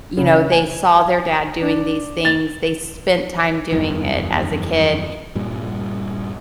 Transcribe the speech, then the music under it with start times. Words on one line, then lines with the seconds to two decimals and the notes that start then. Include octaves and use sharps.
you know, they saw their dad doing these things, they spent time doing it as a kid,
0.17 C#3
0.52 G#5
1.62 D4
2.25 A6
3.72 F#1 E2 G2 E3
5.35 G2 A#2 G3